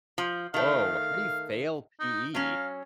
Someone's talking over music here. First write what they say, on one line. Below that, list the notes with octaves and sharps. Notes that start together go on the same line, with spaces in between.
Woah! How do you fail PE?
F3
D#3 A3 F5
D#4
F#3 C#4 F5